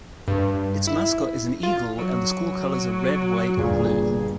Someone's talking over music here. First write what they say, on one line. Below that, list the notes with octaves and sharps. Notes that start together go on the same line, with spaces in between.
Its mascot is an eagle, and the school colors are red, white and blue.
G2
E4
F4
F#3
G1 A#2 G#4